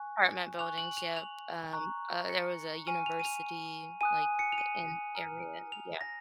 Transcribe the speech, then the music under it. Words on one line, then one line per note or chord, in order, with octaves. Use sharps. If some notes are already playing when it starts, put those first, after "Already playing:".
Apartment buildings, yep, um, uh, there was a university, like, i in area. Yeah.
Already playing: G#5 C#6 F#6
G#5 C#6 F#6 F7
F#7
F7
F7
A#5 C#6 F#6
C#7
G#5 C#6 F6 D#7
F7
D#7
F7
G#5 D#6 F#6 D#7
C#7
F7
D#7
A#5 F6
F7
A#6